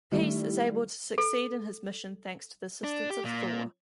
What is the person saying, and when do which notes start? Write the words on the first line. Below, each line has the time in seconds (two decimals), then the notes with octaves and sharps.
Peace is able to succeed in his mission thanks to the assistance of Thor.
0.12 D#3 G3 A3 E4
1.18 A4
2.84 D4
3.10 G4
3.25 A#2